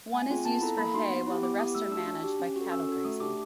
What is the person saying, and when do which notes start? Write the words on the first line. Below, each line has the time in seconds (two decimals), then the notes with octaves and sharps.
One is used for hay while the rest are managed by cattle grazing.
0.14 A3 G#5
0.30 C4 F4 G#4
0.45 B3 A5
0.62 E4 A4 A#5
0.78 A#3 B5
0.94 D#4 F#4 C6
1.10 B3
1.27 E4 G4
1.42 B3 D6
1.59 E4 G4 D#6
1.75 A3 E6
1.92 D4 F#4 E6
2.07 D4
2.23 G4
2.39 C#4
2.56 F#4 A4
2.72 C#4 E6
2.89 F#4 A4
3.05 A3 D#6
3.20 D4 G4 D6